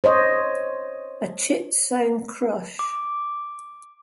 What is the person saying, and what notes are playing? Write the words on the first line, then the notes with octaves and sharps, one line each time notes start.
A Chit Sone Crush?
C5 C#5 D#5
D6